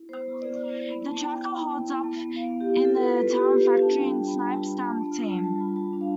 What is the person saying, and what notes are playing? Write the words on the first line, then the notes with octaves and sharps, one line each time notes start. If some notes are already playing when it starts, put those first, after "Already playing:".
The tracker holds up in the town factory and snipes down the team.
Already playing: E4
B3 C5
B3
E4 D5
E4
B3
E4 B5
B3 A5
B3 G5
B3
E4
B3
E4
B3
B3
B3 F5
B3
G4
E4
F4 A4
B4
F4
B3
F4 G4
F4
F4 F5
D4 A5
G3 G5
G3
G3 B5
A5
G3
B5
F4
D4
D4
F4
G3 A5
G3 A5
F4 B5
G3 A5
D4
F5